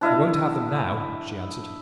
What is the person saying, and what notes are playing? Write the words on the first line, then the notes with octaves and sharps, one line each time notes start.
'I won't have them now,' she answered.
D4 E4 D#5 F5